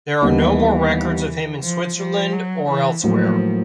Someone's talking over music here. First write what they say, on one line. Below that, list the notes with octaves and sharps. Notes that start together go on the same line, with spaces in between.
There are no more records of him in Switzerland or elsewhere.
D#2 D#3 E3 G3 B3
F3
F3
F#3
E3
A2 F3 F#3 A#3